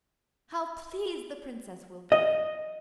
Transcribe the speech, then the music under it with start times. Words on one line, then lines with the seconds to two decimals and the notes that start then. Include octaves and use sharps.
How pleased the Princess will be!'
2.12 D#5